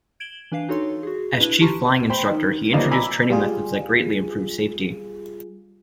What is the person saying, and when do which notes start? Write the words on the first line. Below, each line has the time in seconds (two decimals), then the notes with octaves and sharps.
As Chief Flying Instructor he introduced training methods that greatly improved safety.
0.20 G#6 D7 E7 F#7 G7
0.52 E3 D4 B4 F5 C7
0.68 D#4 F#4 A4 C#5 C6
1.03 F#4 G#4
1.41 D4 E4 B4 D#7
1.61 G4 A5 A#5 C6 C#6 F6
2.10 C5 G5 B5 C6
2.31 D#3
2.73 G#1 F3 G3 A#3 D5 D#5
2.91 G#5 A#5 B5 D6 E6
3.30 G3 F4 G#4